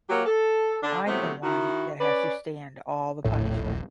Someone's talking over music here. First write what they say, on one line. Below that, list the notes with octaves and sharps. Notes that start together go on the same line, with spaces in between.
I'm the one that has to stand all the punishment.
F#3 A#3 G4
A4
D3 D4
E2 C3 F#3 A3 B3 C4
D#3 E4 F#4
C#4 B4 D5
D#1 A#1 A2